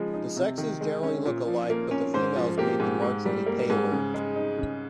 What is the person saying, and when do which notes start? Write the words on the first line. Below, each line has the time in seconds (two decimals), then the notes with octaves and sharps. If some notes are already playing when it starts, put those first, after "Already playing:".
The sexes generally look alike but the females may be marginally paler.
Already playing: C#3 F3 G#3
0.14 D#4
0.36 C3
0.58 D#3
0.81 G#3
1.03 C#4
1.25 A#2
1.47 F3
1.70 A#3
1.91 C#4
2.14 G#2 C5
2.36 F3
2.58 A#3 G4
2.80 G#2
3.02 G#2
3.25 G3
3.46 A#3
3.70 G#2
3.92 C#3
4.14 G#3
4.36 D#4
4.58 C#3